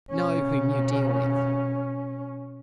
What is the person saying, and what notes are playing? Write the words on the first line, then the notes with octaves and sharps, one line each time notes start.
Know whom you deal with.
B2 C#4